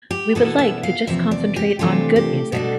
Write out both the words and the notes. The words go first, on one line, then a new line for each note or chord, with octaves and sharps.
We would like to just concentrate on good music.
G4
E2 B2 B3 E4 A4
E5
F5
E2 C3 F3 E5
D5
G4
C3 E3 A3 D4 F4 G4
G4
B2 G3 D4 A4